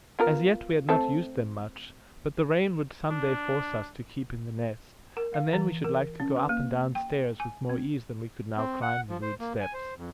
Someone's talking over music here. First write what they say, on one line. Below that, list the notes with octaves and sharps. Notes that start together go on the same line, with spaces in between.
As yet we had not used them much, but the rain would some day force us to keep in The Nest, and then we should like to go up and down stairs with more ease than we could now climb the rude steps.
B3 F4 A#4
A3 C4 A4
D4
A#4
F5
E3
A#4
C#4
B4
A#3
G5
G#5
C4
C4
F#5
F3
C5
A#3
G#5
C5
F2